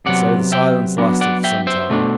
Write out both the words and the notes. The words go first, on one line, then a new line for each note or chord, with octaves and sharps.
And so the silence lasted for some time.
C3 F#3 B3 D5 F#5
E5 G5
F#3 B3 D4
D5 F#5
E5 G5
C5 E5
B2 A3 D4